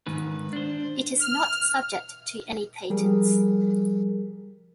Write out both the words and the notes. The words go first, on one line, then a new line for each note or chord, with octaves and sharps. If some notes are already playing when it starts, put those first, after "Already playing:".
It is not subject to any patents.
G#2 D#3 B4
D4 C5
F6
F3 G3 G#4 A#4